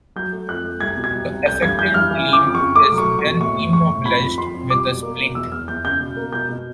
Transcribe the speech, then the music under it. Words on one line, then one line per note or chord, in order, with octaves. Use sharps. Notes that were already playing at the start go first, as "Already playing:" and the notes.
The affected limb is then immobilized with a splint.
F#3 G6
A3
F2 F#6
A3
C2 G#6
B2
G#6
C2
C2
A3 G6
G2 G#6
E3 G6
G2 F6
E3
C#3
D6
F2
C#3 C#6
A3 D6
F#3
C#6
A3
C#6
B2
A2 C#6
A2
A2 C#6
A2
F2 B5
F2
F2 C6
F2
G3 D6
B2
A#3
B2
E2 E6
E2 F6
E2 G6
C#3 G6
B2
A#3
B2 G6
B2